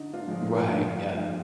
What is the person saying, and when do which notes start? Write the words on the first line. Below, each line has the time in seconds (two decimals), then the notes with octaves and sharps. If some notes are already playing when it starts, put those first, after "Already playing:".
Right, yeah.
Already playing: D3 D#4
0.13 D4 F4
0.27 F3 G#3
0.41 D#4
0.69 D3 D4 F4
1.10 F3 G#3 D4
1.24 D#4